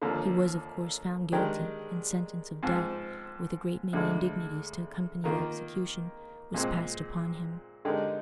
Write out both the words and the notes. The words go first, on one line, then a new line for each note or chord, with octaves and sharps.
He was, of course, found guilty, and sentence of death--with a great many indignities to accompany the execution--was passed upon him.
D#2 D3 F3 A#3
D#3 G#3 D4 G4 A#4
G#2 F3 C4
D2 D3 G#3
D#3 A#3 F4 A#4
A#2 G#3 C4
D3 G#3 D#4 G4 A#4